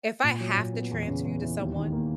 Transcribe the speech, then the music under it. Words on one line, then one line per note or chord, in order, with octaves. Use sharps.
if I have to transfer you to someone,
A#2
F#3
A#2
B3
E2
C#3
E2
E3
D#2
D#3
A#3